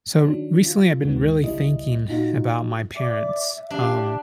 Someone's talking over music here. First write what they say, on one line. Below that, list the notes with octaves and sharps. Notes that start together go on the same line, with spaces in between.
So, r recently, I've been really thinking about my parents. Um.
D#3 F#3 D4
F4
D2 G2 D#3 G#3 B3
G1 C#2 G3 E4 D#5
A#2 D#4 F4 F#4
D5 E5 D6
D4 G4 F5